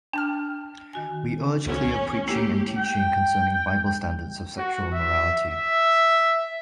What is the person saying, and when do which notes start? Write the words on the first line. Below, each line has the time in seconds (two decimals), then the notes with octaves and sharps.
We urge clear preaching and teaching concerning Bible standards of sexual morality.
0.13 D4 G5 A5 F6
0.93 D#3 F#4 G#5
1.66 C#2 C#4
2.28 A3 A#3 E4 G4
2.77 G5
4.58 F#4
4.93 E5
5.51 E5